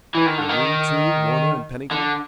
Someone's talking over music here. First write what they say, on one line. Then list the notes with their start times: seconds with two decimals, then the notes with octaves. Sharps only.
"And you, too, Warner and Pennington?"
0.15 E3
0.26 D#3
0.38 D3
0.49 D#3
1.92 D3